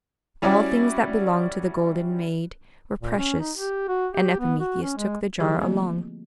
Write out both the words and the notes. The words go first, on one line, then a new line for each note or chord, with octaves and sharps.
All things that belonged to the Golden Maid were precious, and Epimetheus took the jar along.
G3 C#4 E4 F#4 D5 E5
A#2
C#4
D#4
G4
F#4
G4
B3
F#4
C#4
G#3
D3 F3 G3 E4 G4 G#4
F3 A3 A#3 C4 F4